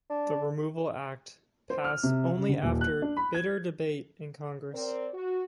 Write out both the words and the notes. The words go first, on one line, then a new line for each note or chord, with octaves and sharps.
The Removal Act passed only after bitter debate in Congress.
D4
C5
F6
C3
C#3
D3
D#1
F#6
D4
B5
G#6
C4 A#4 D5
F#4